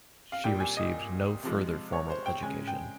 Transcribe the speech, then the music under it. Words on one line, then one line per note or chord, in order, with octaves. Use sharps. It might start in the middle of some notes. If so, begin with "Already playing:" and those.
She received no further formal education.
F5
A#2 G3 G5
G#5
D#5
C3 F3 G#3
C#5
C5
G5
C#3 G#3 G#5
G5